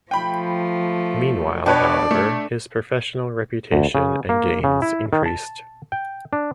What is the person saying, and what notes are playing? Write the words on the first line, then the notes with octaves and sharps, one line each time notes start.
Meanwhile, however, his professional reputation and gains increased.
F3 A3 G5 B5
B2 D4 B4 C#5 D5 G5 A5
A3
D2
C#3
A#3
C#3
E4
D#3
A5
G5
D4